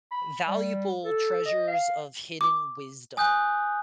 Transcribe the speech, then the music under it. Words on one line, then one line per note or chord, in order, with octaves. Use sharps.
valuable treasures of hidden wisdom.
B5
G3
A4
D#5
F5
D6
G#5 D#6 F#6 G6